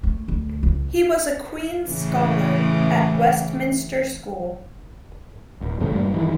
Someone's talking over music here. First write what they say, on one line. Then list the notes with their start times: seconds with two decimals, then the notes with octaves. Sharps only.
He was a Queen's scholar at Westminster School.
0.03 A3
0.28 D2
0.63 C#2
1.89 A2 C#3 E3
5.61 D1
5.80 G1 E2 C#3 A3
5.94 G2 A#2 G3
6.14 G2 D#3 E3